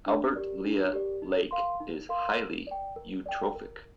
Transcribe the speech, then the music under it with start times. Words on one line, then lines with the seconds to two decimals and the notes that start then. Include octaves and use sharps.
Albert Lea Lake is highly eutrophic.
0.06 D4
0.35 G4 A#4 D5
0.65 D4
0.93 G4 A#4 D5
1.22 D#4
1.51 A#4 F5 C6
1.80 D#4
2.09 A#4 F5 C6
2.38 A#4
2.67 D5 G5
2.96 A#4
3.26 D5 G5
3.55 A#4